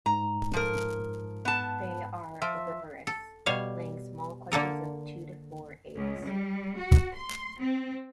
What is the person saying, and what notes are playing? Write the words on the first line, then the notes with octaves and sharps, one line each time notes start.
They are oviparous, laying small clutches of two to four eggs.
G#2 A#5
F3 A#4
B3 A5
F3 E5
A4
B2 G3 C#5 F5
D3 A#3 A4 A#4
C#2
G3
F#4
C6
C4